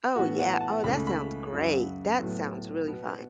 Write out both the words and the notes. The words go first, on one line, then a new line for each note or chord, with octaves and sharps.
Oh, yeah, oh, that sounds great. That sounds really fun.
A2 E3 B3 F#4
F#5
A5
C#2 C#3 A3 C#4 B5
B5
F#2 C#3 F#3
A2 F#3 B3
B2 B3